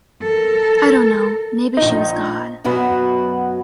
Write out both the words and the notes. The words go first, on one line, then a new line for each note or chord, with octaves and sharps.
I don't know, maybe she was God.
A4 A#4
A#1 D#4
F#2 B2 F#3 B3 F#4